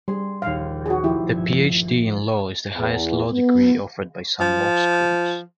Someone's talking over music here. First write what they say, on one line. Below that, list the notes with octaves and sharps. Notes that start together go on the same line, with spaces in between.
The Ph.D. in law is the highest law degree offered by some law schools.
G3 G#4 C6
A#1 D#2 F5
F#4 G#4
F3 E4 G4
G1 E5 G#6
E2
B3
F3